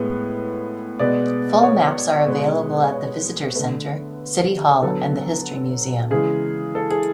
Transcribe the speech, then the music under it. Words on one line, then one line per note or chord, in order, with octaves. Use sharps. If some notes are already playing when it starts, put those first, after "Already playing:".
Full maps are available at the visitor center, city hall, and the history museum.
Already playing: A2 G#3 B3
B2 G#3 B3 D5
C#5
B2 G#3 B3
C#5
D3 A3 B4
D3 F#3 B3 A4
C#3 E3 G#3 G#4
A4
G#4